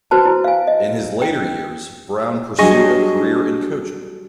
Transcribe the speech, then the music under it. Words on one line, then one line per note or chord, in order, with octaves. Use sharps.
In his later years, Brown pursued a career in coaching.
F#4 B4 C5 A5
E4
F5 G#5
D#5
G5
F#3 G3 D4 G#4 D#5 G#5 C#6